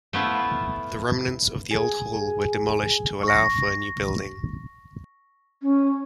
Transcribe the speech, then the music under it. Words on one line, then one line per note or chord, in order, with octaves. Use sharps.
The remnants of the old hall were demolished to allow for a new building.
A3 B3 E4 F4
G#4
C#6 A#6
C#4